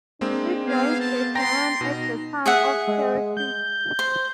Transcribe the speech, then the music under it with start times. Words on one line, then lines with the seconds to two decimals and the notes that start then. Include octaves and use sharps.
It joins the Cheyenne at the town of Cherry Creek.
0.21 G#3 A#3 C4 D4
0.65 B3 G#4 C5 F5
0.99 C5 F5 A5
1.35 D5 G5 A#5 C6 A#6
1.81 B2 D#4 A#5
2.46 G#4 E5 F#5
2.87 G#3
3.37 G6
3.99 C5